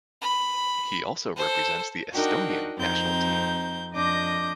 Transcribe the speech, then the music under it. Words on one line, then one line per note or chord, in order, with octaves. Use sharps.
He also represents the Estonian national team.
B5
A4 C5
D4 D#4 F#4 A#4 F#5 G5
F2 C4 D#4 G6
F2 D4 D#5 D6 G6 A#6